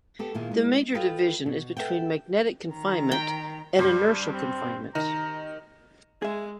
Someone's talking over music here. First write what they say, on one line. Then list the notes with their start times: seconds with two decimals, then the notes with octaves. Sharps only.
The major division is between magnetic confinement and inertial confinement.
0.19 B3 G4 A4
0.35 A#2 D#3 A#3 E4 G#4
0.51 G#3
0.94 F4 A4 B4 D#5 G5
1.46 B2
1.77 A4 B4 E5 F#5 G5
2.70 D#3 A#5
3.12 G5
3.79 G2 D4 G4 C5 C6
4.32 C4
4.95 D#3 A#5
6.22 G#3 G#4 E5